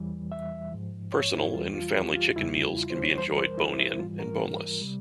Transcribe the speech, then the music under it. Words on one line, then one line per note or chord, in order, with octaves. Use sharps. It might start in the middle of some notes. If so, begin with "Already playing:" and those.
Personal and family chicken meals can be enjoyed bone-in and boneless.
Already playing: E2 E3 G3
E5
G#2 F3
C#5
E4
E2 E3 G3 F4
F4
G4
F4
E2 C#3 G3 E4
F4
C5
C#5
F2 E3 G3 C5
A#4
C5
E4
E4
G#2 E3 G3 F4
A#4
C3 G3